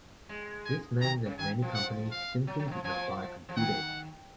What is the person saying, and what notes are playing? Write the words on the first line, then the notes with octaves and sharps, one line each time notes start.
This meant that many companies simply did not buy computers.
G#3
G#5
D#3 A#5
C#3
D#3 G#5
F3
F#5
F5
F#3
F#3
D#3
F3
F3 G#5
F3
D#3 F#5